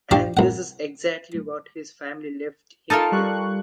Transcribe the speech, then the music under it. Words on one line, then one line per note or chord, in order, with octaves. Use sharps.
And this is exactly what his family left him with.
D4 G4 F5 C#6
C2 F#5
D#4 F4 A4 A#4 A5
G3 C#6 F#6